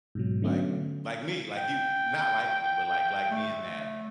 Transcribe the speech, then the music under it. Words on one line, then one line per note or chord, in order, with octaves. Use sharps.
like like me, like you not like me, but like like me in that
G#2 B2 F#3
D3 F#3 A3 B3 C#4
G5
A3